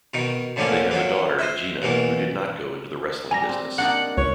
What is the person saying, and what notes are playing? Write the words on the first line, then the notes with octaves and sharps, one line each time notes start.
They have a daughter, Gina, who did not go into the wrestling business.
B2 D#3 D#4
A2 D3 D#3 F3 A#3 C#4
D#3 F#3 A#3
C5 D#5 E5
D#2 B2 E3 A#3
G3 G#5 A#5 A#6
C4
A#3 D4 D#4 F#5
C#2 C#5